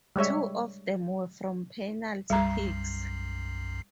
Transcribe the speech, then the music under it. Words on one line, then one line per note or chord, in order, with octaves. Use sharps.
Two of them were from penalty kicks.
G3 G#3 C#5 E5
B1 F#2 G3 A#5 C7